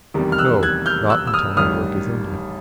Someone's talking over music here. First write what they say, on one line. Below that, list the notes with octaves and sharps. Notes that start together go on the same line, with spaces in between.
"No; not until my work is ended."
F1 E2 C3 D#3 G3
F6
E6 F#6
F#6 G#6
F6 G6
E6 F#6
E6
D#6 F6
A1 G2 D#3 G3 D#6 F6